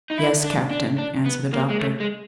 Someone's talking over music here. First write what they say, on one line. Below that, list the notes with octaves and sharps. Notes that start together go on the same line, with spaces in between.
"Yes, captain," answered the doctor.
D#4
E4
D4
D4
D4
B3
A#3
G#3
A3
G#3